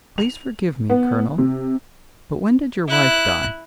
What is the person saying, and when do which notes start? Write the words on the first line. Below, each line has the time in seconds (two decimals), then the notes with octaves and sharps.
"Please forgive me, colonel, but when did your wife die?"
0.18 F7
0.90 B3
1.38 C3
2.88 E4 F#6